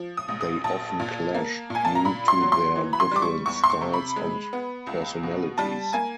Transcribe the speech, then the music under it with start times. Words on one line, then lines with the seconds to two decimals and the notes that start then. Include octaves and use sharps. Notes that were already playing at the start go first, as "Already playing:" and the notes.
They often clash due to their different styles and personalities.
Already playing: F3
0.17 D#6
0.28 A#1
0.41 D#6
0.64 A#1 A5
1.00 A#2
1.35 A#3
1.70 A#2 G#5
1.85 A5
1.95 A#5
2.05 A#2 B5
2.28 C6
2.41 F#3
2.52 C6
2.76 E3
2.93 B5
3.00 C6
3.11 G3 D6
3.22 C#6
3.46 E2 C#6
3.64 C6
3.70 C#6
3.81 C3
3.94 B5
4.16 G#3
4.53 B3
4.87 C#2
5.23 B2
5.58 G3 A5
5.93 A#3 G#5